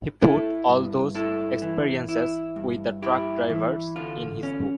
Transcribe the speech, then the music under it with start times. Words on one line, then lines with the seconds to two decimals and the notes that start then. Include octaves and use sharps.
He put all those experiences with the truck drivers in his book.
0.21 E4 A4
0.68 G2
1.15 E4 A4
1.62 E3
2.09 E4
2.56 G2
3.02 E4 G4
3.50 E3
3.96 D3 F4
4.43 C#4